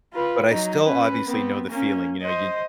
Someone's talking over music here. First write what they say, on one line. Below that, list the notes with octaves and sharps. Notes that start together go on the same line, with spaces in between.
but I still obviously know the feeling, you know, you'd
F4 B4
F#3 D#4
C#4 B4
B3 C4
A#3 C#4
C5 D#5